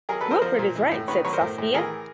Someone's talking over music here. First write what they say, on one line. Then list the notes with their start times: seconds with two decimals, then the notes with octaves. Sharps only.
"Wilfred is right," said Saskia.
0.09 F#3 G#4 A#4
0.21 F#3 A4 B4
0.31 A#4 C5
0.42 F3 A#4 C5
0.59 A#2
0.75 E3
0.92 A2
1.08 D#3 B4 C#5
1.24 F#3 B4 C#5
1.33 A#4 C5
1.41 A2
1.58 A2
1.74 E3 G#4 A#4